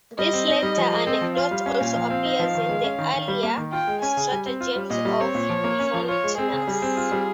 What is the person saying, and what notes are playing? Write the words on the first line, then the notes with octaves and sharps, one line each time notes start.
This latter anecdote also appears in the earlier "Stratagems" of Frontinus.
G3 D#5
C4
D#4
G3
F3
G#3
C4
F3
F4 F5
G3
C#4
A#2
F3
C4
D#4
F3
D#3
G#3
C#4
D#3
D#3
G3
A#3
D#3
F4 G5
G#3
C#4 G#5
C#3
G3
C4
F4
G3
A#2 D#5
G3
C4 C#5
A#2
F3
A#3
C#4
F3
F4 C#5
G#3
C4 G#4
C#3
G3
C4
F4
G3